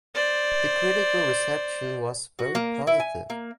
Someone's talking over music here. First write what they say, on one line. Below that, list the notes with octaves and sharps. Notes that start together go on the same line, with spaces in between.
The critical reception was very positive.
C5 D5
F#4
A#3
E4
G#5
A#3